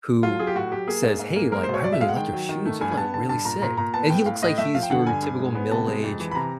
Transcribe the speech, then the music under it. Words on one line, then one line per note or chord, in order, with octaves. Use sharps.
who says, "Hey, like, I really like your shoes, they're, like, really sick," and he looks like he's your typical middle-aged,
F#3 F4
F#3 G#4
G4
A2 F#4
F#3 G4
A#3 G#4
G#2
G#2
A#3
G#3 A#4
C5
B2
C#5
B2 D5
E5
G#3 F5
F#5
D#3 G5
F#3
D#3
A3
G2 G#5
G#5
B3 A5
D3 A5
G2 A5
A#2 A#5
A#2 A#5
A#2 A#5
B3 A5
A2 G5
A2 F5
A2 D#5
A3 E5
F3 F5
G5
D3 F#5
G2 G#5
G2
G#3
B3
C3 A5
G#3
F2
E3
B5
C3 A#5